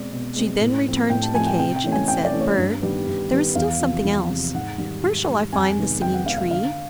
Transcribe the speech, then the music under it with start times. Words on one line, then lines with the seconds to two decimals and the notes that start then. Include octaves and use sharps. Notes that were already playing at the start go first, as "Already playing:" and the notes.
She then returned to the cage, and said: "Bird, there is still something else, where shall I find the Singing Tree?"
Already playing: B2 G#3 C4 D5
0.12 B2
0.36 G#3 C4
0.61 A2
0.86 F3 A3 C4
1.10 A2 G5
1.23 A5
1.34 F3 A3 C4 G#5
1.47 G5
1.59 C3 G5
1.76 G5
1.84 E3 A3 C#4
1.92 G#5
2.08 C3 G5
2.25 D5
2.33 E3 A3 C#4
2.41 C#5
2.58 G2
2.82 D#3 G3 B3
3.07 G2
3.31 D#3 G3 B3
3.55 E2 F5
3.80 C3 F3
4.04 E2
4.30 C3 F3
4.54 G#2 F#5
4.78 D#3 G3
5.03 G#2
5.27 D#3 G3
5.52 F2 G#5
5.76 C3 D#3 G#3 B3
6.02 F2 G5
6.14 F#5
6.26 C3 D#3 G#3 B3 F5
6.38 F5
6.50 D3 F5